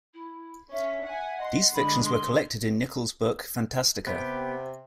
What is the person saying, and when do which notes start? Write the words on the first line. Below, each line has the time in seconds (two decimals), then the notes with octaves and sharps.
These fictions were collected in Nichols' book "Fantastica".
0.14 E4
0.71 C#4 E5
1.04 F#5 G#5
1.38 D#5 F#5 C6
1.73 D3 G#3 B5
2.05 C6
4.07 C3 B3 G4